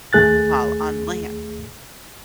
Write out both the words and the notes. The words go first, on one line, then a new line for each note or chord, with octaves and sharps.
while on land
D#2 A3 G#4 F#6 A6